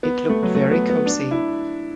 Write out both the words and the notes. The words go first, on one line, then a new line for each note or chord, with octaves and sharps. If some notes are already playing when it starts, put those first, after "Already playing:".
It looked very cosy.
B3
A3
F#3
A3
B3
B3
D4
E4